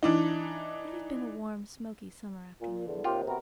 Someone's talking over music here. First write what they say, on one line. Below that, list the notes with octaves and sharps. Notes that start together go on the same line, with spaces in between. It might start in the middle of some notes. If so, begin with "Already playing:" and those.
It had been a warm, smoky summer afternoon.
E3 D4 D#4
A#2
E2 D3
D#2 C3 F4 G4
C3 B3 F#4 A#4